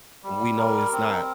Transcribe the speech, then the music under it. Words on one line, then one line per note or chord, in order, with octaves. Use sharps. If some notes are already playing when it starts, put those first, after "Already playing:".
We know it's not
G3
A#4
C4